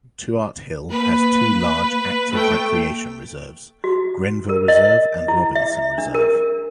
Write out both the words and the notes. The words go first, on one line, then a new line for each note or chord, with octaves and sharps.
Tuart Hill has two large active recreation reserves: Grenville Reserve and Robinson Reserve.
A#3 B4
A3 G5
F#4
A#4
D#5
E4
E5
D4
A#4